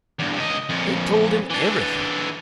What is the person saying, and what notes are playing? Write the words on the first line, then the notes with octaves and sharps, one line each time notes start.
He told him everything.
E2 G2
C#2 D#5
F2 A#2
E3 D4